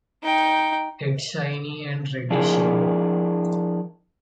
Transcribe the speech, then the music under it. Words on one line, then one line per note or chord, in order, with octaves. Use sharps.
Head shiny and reddish yellow.
D#4 G5
F3 D4 E4 G#4 A#4